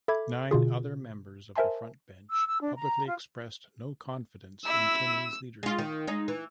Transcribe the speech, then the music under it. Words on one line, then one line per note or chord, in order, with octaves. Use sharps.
Nine other members of the front bench publicly expressed no confidence in Kenny's leadership.
A4 E5 B5 D6 G#6
B2 D3 F4 G#4
A#4 C5 E5 G#5 A5 C6
E6
E6
D4
A#5
F4
E4 E6
G#3 F4
D#3
G#3 D#4
E3